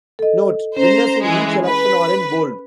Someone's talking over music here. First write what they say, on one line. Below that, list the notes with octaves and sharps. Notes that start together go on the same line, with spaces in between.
"Note: Winners in each election are in" bold.
A4 D#5
C#4 C5 A#5
E3 G#3
B4